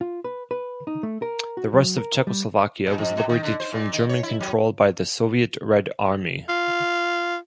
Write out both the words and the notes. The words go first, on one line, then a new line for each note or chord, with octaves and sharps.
The rest of Czechoslovakia was liberated from German control by the Soviet Red Army.
F4
B4
B4
D#4
A3
A#4
F#4
F#3
A#4
G3
A#2
F2
B2
D#3
D3
C5
A#2
D#3
C#5
E4
F#3
F4